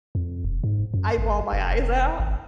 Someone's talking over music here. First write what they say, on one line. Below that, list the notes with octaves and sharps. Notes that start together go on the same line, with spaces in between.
I bawl my eyes out.
F2
E1
G#2
F#2
G#1
F1
G#1